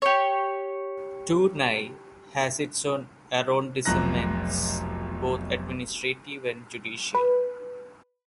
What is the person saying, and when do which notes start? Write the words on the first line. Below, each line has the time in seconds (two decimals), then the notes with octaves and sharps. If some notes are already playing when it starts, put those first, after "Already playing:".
Tournai has its own arrondissements, both administrative and judicial.
0.02 G4 C#5
3.85 F1 B1 F3 A#5 F#6 A#6
7.15 B4